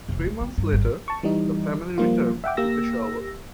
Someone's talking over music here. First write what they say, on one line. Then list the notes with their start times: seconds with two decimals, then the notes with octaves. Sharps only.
Three months later, the family returned to Peshawar.
0.09 F1
0.26 D2
0.41 C4
0.58 G2
0.72 G#1
1.08 A5 C#6
1.23 E3 G3 D#4
1.98 F3 G3 A#3 F4
2.44 E5 F#5 G5 D6
2.57 A#3 G4 E6 A#6